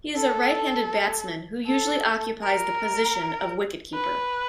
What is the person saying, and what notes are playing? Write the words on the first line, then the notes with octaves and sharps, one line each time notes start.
He is a right-handed batsman who usually occupies the position of wicketkeeper.
A4
A4
A#4
B4